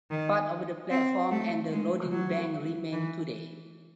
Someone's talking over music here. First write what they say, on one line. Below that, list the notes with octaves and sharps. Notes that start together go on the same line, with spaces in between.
Part of the platform and the loading bank remain today.
D#3
C4
A3
G#3
F#3
E3